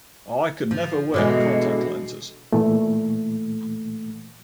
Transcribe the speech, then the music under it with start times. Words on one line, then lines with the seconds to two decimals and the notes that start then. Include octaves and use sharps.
I could never wear contact lenses.
0.71 F3
1.14 B2 D3 E3 G#3
2.53 A#2 E3 A3